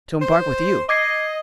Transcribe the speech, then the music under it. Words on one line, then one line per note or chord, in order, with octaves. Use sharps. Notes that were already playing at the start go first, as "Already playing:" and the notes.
"To embark with you."
C5
D#5 D6 G#6 C7